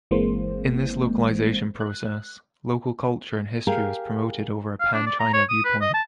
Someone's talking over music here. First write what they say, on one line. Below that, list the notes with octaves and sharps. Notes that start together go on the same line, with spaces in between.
In this localization process, local culture and history was promoted over a pan-China viewpoint.
G1 E3 G#3 A#3 C4 C5
F#6
G4 G#4 A#4 F5
F5
D4
D5
A#5
C#5
D#6
B4
D#5
A5